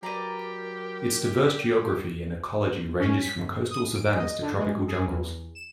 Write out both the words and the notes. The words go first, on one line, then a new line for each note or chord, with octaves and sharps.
Its diverse geography and ecology ranges from coastal savannahs to tropical jungles.
F#3 G4 A#4 B4 D5 A#5
C#4
B6
G1
D#6
D7
D#5
D3
G#3
G#4
E2
E7